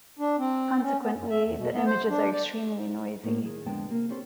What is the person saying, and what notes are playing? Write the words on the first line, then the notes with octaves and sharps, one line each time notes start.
Consequently, the images are extremely noisy.
D4
C4
C#4
B3
F#2
E5
E2
B2
B3
C5
D4
D5
A2 A#3 C#4
D#3 G#4
F2 D3 G#3 B3 G5 A5
C3 A#3
C4 C#4 G4 A4 C5